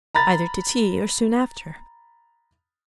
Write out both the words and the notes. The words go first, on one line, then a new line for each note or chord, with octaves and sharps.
'Either to tea or soon after.
A#5 B5 A6